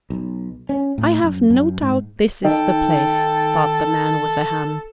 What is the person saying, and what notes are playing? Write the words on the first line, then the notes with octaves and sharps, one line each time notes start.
"I have no doubt this is the place," thought the man with the ham.
B1
C#4
A2
F#2
F#2
G#2
D#3 A4 G5